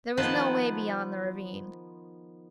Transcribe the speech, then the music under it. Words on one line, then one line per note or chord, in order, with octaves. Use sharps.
There was no way beyond the ravine.
D#3 F3 B3 B4 C5 A5